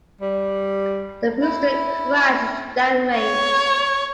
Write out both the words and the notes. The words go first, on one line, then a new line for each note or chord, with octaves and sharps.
The booster crashed downrange.
G3
E4
C#5